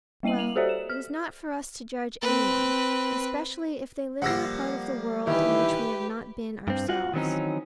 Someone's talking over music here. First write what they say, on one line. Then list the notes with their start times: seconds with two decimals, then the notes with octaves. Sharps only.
Well--it is not for us to judge any one, especially if they live in a part of the world in which we have not been ourselves.
0.23 G3 A#3 D#5 D#7 F#7
0.39 F7 F#7
0.56 F#4 G4 A4 C5 D5 E5
0.69 E7
0.90 F6
2.22 C4 B4
4.22 F3 G3 A#3 F#5 E6 A#6
5.27 D#3 E3 E4 G4 B4
6.68 G2 C4
6.89 F4 F#4 F#5
7.13 D#3 E3 F#3 C4 C#4 D#4